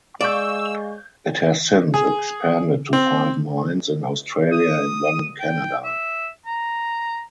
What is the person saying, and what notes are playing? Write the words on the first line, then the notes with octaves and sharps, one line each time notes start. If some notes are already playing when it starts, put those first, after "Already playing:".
It has since expanded to five mines in Australia and one in Canada.
G#3 D5 F5 C#6 E6 G6
G#4
C4
D#6
G5
E5
A#5